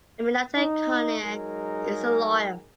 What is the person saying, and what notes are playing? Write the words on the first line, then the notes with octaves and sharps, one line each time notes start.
Aminata Koné is a lawyer.
D#4
F#3 G#3 D#4 G#4 A#4